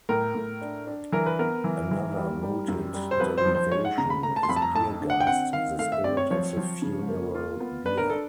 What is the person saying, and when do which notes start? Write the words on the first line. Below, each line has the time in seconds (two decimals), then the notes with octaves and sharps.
Another mooted derivation is "Bier-Geist", the "spirit of the funeral bier".
0.09 A2 A#4
0.35 A2
0.62 D4
0.87 D4
1.12 E3 A#4
1.26 B4
1.39 B3 A#4
1.64 E3
1.91 E3
2.16 G3
2.43 G3
2.68 F#2
2.94 G3
3.11 C5
3.20 F2 B4
3.38 C5
3.45 F3
3.55 C5
3.72 G#3 C#5
3.85 F#5
3.98 C#3 A#5
4.10 B5
4.23 A3 A#5
4.36 A5
4.43 C6
4.49 F2 B5
4.56 A5
4.62 A#5
4.75 A3 A5
5.01 D3
5.10 F#5
5.20 G5
5.27 C4 F#5
5.53 D#3 F5
5.79 A3 F5
5.92 E5
6.04 C4 D5
6.17 C#5
6.31 F3 C#5
6.57 F3
6.82 C#3
7.09 A#3
7.35 F4
7.60 B3
7.86 D4 B4
7.98 A#4
8.10 D4 A4